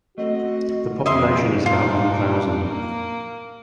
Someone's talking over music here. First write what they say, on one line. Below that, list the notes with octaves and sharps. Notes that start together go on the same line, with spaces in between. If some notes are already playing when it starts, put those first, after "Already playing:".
The population is about one thousand.
A3 C4 F#4 D#5
F2 C#3 D#5 E5 C6
A#2 D4 D#4 F4
A#3